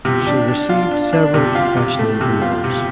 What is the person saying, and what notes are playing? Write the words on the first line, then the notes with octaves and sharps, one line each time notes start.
She received several professional awards.
C3
D4
D4
F4
D4
D4
C3
F4
C3
A3
C3
F4
C3